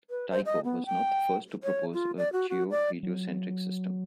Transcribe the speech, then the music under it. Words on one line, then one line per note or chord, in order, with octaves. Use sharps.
Tycho was not the first to propose a geoheliocentric system.
B4
C5
D#5
B3
G5
C#5
F4
D5
F#4
F#4
D5
F#3